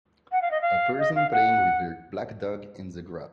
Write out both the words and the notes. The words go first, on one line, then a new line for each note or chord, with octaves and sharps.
A person playing with their black dog in the grass.
F#5
F5
D#5
F5
D#5
F5
F#5